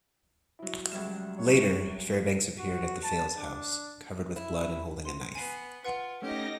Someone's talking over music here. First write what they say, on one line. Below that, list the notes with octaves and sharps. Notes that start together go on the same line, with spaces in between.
Later, Fairbanks appeared at the Fales house, covered with blood and holding a knife.
F#3 E4
C#2 F#3 G3 E5 E7
C#5
F#4
A5
D4
E4
C6
B3 G#5 C7
F4 B4 F#5 C#7
A3 C#4 D#4 G4 A#6